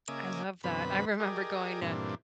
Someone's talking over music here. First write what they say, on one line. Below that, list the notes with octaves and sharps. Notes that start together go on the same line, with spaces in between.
I love that. I remember going to,
C#3 A#3 D#5 E5 G#5 D6
F#2 B2 D3 C4 B4 B5
G4 G#4 A#4 D5 D#5
G2 A#2 E3 C4 D4